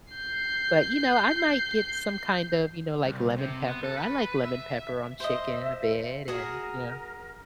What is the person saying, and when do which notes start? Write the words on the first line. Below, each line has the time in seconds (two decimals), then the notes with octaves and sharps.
but, you know, I might get some kind of, you know, like lemon pepper. I like lemon pepper on chicken a bit and, you know.
0.13 G6 C7
3.05 C2
3.38 C3
3.68 B3
3.84 A4
3.98 B4
4.44 E5
5.20 C5 D#5 E5
6.28 F#4 G#4 A#4 G#5